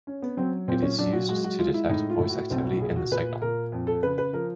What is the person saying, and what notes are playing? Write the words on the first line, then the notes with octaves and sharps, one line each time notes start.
It is used to detect voice activity in the signal.
C#4
B3
F#3 C4
A#2 C4
C#4
F#3 D4
F#4
G#3 F#4
F#4
G#3 F4
E4
A2 D#4
F4
A2
F#4
B1 C4
F#4
A#2 G#4
F#4
A#2 B4
A#2 A#4
F2
A4
C#3 B4
B4
F3 A#4